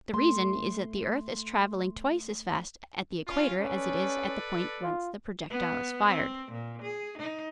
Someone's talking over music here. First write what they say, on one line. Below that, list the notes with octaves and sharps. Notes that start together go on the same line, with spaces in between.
The reason is that the earth is traveling twice as fast at the equator as it is at the point whence the projectile is fired.
A3 C6
C#4 F4
C#4 A4 B4 D5
F4
B3
C4
A#2
G#4
D#4